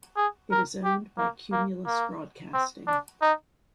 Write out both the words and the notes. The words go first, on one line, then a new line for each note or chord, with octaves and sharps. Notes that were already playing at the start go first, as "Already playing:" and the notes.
It is owned by Cumulus Broadcasting.
G#4
A#4
G4
A#3
A#3
A#3
C4
D4
D#4